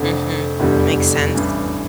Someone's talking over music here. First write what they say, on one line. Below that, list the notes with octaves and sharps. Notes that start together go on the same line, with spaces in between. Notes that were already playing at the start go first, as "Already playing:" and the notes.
Mhm. Makes sense.
Already playing: F1 F2 D3
F1 E2 D3 G3
A1 G2 E3